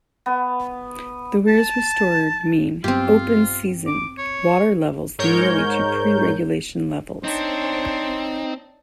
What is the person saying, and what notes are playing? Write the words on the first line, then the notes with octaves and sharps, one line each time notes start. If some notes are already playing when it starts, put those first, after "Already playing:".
The weirs restored mean open-season water levels nearly to pre-regulation levels.
B3
A5
G2 F#3 B3 C4 F4 G4
D6
C#5
G#2 A#4 C#5 G6
C4 D4 D#4 C5 C#5